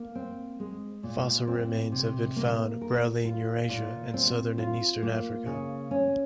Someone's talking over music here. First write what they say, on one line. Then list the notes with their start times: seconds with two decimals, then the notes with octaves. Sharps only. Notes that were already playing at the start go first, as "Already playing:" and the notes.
Fossil remains have been found broadly in Eurasia and southern and eastern Africa.
Already playing: A#3
0.15 C4
0.60 G#3
1.03 A#2
1.47 C4
1.92 C3
2.36 A#3
2.81 A#4
3.25 F4
3.69 A#2
4.14 C4
4.58 F4
5.03 A#3
5.46 C#3
5.91 C#4